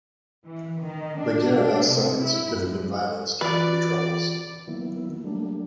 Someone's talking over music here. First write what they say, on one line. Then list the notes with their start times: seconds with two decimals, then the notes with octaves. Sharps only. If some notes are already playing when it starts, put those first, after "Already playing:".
Maghera suffered significant violence during the Troubles.
0.45 E3
0.81 D#3
1.21 D4
1.55 D4
1.88 C3
2.24 E4
2.55 F#2
3.41 E3 F4 F#4 B4 D5
4.67 D#3 F#3 A#3 B3 E4
5.24 F#3 G3 A3 A#3 D4